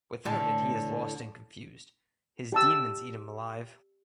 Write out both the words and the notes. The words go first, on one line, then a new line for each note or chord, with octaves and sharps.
Without it, he is lost and confused; his demons eat him alive.
E2 A2 D3
G4 A5 E6